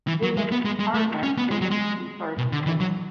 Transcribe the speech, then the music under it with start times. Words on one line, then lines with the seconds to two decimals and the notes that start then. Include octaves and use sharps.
He and his partner finished in third place.
0.08 E3
0.23 F#3
0.37 G#3
0.52 B3
0.65 G#3
0.79 G#3
0.94 A3
1.23 C#4
1.38 B3
1.51 G#3
1.61 F#3
1.71 G#3
2.38 B2
2.53 D3
2.66 E3
2.80 F#3